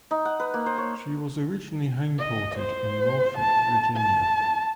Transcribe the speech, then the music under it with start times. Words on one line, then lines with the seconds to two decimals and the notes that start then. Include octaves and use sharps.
She was originally homeported in Norfolk, Virginia.
0.11 D#4
0.25 F#5
0.40 B4
0.54 A#3
0.66 C5
0.78 C#5
2.19 D#5
2.58 C5
3.38 A5
3.96 A5